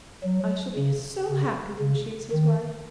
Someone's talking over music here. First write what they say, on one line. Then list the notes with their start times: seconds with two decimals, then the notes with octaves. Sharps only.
I shall be so happy when she is his wife.
0.24 F#3
0.76 C#3
1.28 C#3
1.79 C#3
2.31 D#3